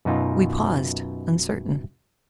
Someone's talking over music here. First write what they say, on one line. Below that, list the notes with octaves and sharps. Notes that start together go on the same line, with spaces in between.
We paused uncertain.
F#2 B2 D#4 F4